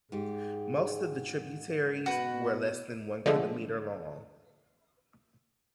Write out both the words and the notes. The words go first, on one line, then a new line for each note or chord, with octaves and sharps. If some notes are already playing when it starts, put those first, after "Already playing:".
Most of the tributaries were less than one kilometer long.
G#2 G4 G#4
B2 F#4 B4
D3 F3 G#3 A3